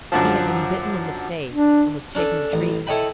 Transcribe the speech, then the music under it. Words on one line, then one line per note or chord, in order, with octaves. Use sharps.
He had been bitten in the face, and was taking the treatment.
F#2 D3 F3
D4
C#4 D4 A4
A1
E4 A4 C#5 D#5 G5 B5